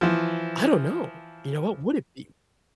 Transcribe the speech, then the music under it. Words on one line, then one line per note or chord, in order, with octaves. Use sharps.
I don't know. You know, what would it be?
E3 F3